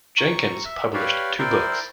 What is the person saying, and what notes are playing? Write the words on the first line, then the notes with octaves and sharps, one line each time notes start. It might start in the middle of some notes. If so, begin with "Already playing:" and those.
Jenkings published two books.
A#5 C#6
E5
G4 B4 C#5 D5 F5
E4 A#4 C5 D5 G5